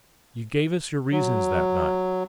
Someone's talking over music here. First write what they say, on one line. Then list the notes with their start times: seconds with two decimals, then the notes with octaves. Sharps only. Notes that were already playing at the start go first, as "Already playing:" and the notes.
You gave us your reasons that night.
1.12 F#3